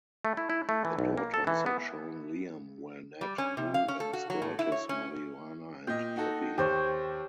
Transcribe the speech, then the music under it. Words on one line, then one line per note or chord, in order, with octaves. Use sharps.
The daughters had shown Liam where Ned grew and stored his marijuana and poppy.
A3
E4
E4
A3
E3
B1
A#3
A4
E3
B3
G3
C#4
C3
F5
C#4
A4
F#4
F#3
A2
E4
C#5
C#4
A#2 D#5 G5
D#4 F#4 A4
D#2 G4 C5 C#5